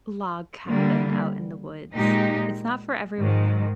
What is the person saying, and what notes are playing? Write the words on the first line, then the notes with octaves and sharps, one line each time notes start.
log cabin out in the woods. It's not for everyone, though,
D3 G3 A#3
A#2 G#3 D#4 G4
G#2 D#3 G#3